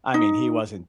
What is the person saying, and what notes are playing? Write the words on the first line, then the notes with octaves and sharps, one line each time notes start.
I mean, he wasn't
D#4